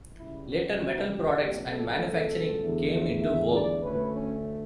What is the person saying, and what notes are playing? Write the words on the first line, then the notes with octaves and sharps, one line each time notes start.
Later metal products and manufacturing came into vogue.
C#2 C#3 G3 E4
F#4
F#4
G4
C#2 B2 F#3 A3 G4
A4
A4
E2 D3 A3
E5
D5
D2 D3 A3 C#4 B4
C#4